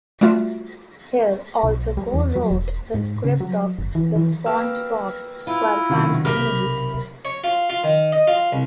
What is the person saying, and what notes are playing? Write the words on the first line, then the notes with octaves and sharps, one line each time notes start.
Hill also co-wrote the script of "The SpongeBob SquarePants Movie".
G3 A3 F4 F#4 E5
B1
G3
E2
F#3
E1
G#2
C#3
F#3
G1
E3
E3
A#3 B3 A#4 G5 E6 F6
E4 F4
B1 C3 D#3 C#4 F#4
G4 A#4 E5 B5 F6
C#5
F4
F4
D#3
D#5
F4
C2